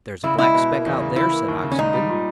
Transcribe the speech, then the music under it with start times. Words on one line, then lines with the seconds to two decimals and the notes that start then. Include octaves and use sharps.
"There's a black speck out there," said Oxenden.
0.23 C#3 E4
0.39 G#3 E4
0.54 B2
0.70 A#3
0.86 E2
1.00 C#3
1.16 E3 E4
1.32 A#3
1.48 D#2
1.63 C#3
1.72 C#4
1.78 G#2 D#4
1.94 G3
2.09 A#2